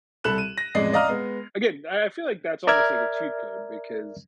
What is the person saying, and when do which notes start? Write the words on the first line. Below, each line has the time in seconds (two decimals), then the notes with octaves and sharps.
Again, I I feel like that's almost like a cheat code because
0.24 C2 A4 B5 F#6 E7
0.38 D#7
0.58 A#6
0.75 A1 F2 G#3 D5 D#5 C7
0.93 D5 D#5 F5 A#5 D#6 F6
1.09 G#3 B3
2.67 A#4 D5 E5 A#5 F6 G#6